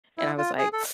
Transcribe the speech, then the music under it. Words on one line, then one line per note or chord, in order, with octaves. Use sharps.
and I was, like,
E4
F4
G#4
A4